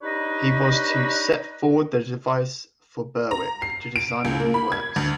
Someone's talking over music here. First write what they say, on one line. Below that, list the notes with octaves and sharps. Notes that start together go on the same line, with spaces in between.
He was to "set forward the device for Berwick": to design the new works.
D4 D#4 G4 B4 C#5 D#5
A#5
C7
D7
C#2
A#3
B5
G#6
D2